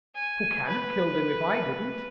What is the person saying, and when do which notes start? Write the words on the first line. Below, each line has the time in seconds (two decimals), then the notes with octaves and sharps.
Who can have killed him if I didn't?
0.15 G#5
0.67 B4